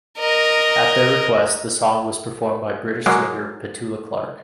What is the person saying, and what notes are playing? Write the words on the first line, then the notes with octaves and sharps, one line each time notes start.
At their request, the song was performed by British singer Petula Clark.
A#4 D#5
F#3 G#3 A#3